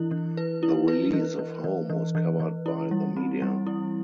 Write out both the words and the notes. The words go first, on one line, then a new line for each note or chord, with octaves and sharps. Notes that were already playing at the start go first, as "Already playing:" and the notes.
The release of "Home" was covered by the media.
Already playing: E3 E4
E3
B4
E4
B4
E3
E3
E3
E3
E3
E3
E4
G3
C4
G3
E4